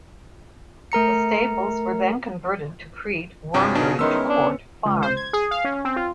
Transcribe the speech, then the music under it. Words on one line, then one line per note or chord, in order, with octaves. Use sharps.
The stables were then converted to create Wormbridge Court Farm.
A3 A#4 A#5 C#7
G2 C3 F#3 F4 G#4 G5
B2 D4 D#4
D#3 G#3 B3 C#4 E4 A#4 C6 E6
D4 G#4
C#2
C5
G#6
G#4
F5
C#4
C4
F4